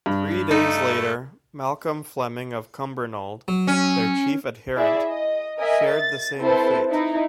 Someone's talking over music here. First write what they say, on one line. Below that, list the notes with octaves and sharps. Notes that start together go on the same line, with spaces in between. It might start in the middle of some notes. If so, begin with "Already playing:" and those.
Three days later Malcolm Fleming of Cumbernauld, their chief adherent, shared the same fate.
G2
A3 D#4
F#3
C#4
E4 G#4 D5 E5
D#5
A#4 D#5 E5 G#5
A6
C4 E4 A4 B4 C5 A5
D#4 E4